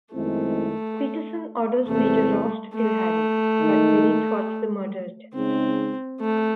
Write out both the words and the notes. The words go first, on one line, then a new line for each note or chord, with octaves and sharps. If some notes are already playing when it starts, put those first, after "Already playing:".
Peterson orders Major Ross to kill Harry, but Billy thwarts the murder attempt.
F#2 D#3 G#3 A3 C4 E4
E2 C3 E3 A3 C4
A3
D#3 G#3 D#4
C#3 G#3 C4 D#4
A3